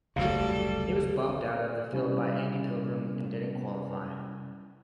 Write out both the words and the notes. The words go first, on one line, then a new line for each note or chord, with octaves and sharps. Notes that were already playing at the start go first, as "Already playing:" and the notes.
He was bumped out of the field by Andy Pilgrim and didn't qualify.
F#1 D2 C3 G3 F#4 A4 C#5 F5
C3 G3 C#4 E4